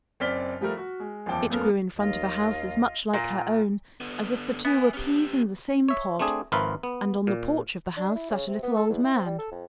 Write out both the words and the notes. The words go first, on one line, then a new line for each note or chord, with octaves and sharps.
It grew in front of a house as much like her own as if the two were peas in the same pod; and on the porch of the house sat a little old man.
F#1 C4 D5 F6 B6 G7
F3 G3 A3 A#4
F#4
G#3
F#1 E2 F3 G5 A5 D6
F#2 A#3 B3 A4 A#4
D#2 F4 D#5
A#2
D3 B3
B3 E5 G#5
C#4 G4
C#5 E5
A3 C4 D4 G#4
G#1 F3 F4 A#4 B4 E5
B3
A#2
D4
E4
C#3
C3
B3
A4
E2
E4
C4
G3
A4
F2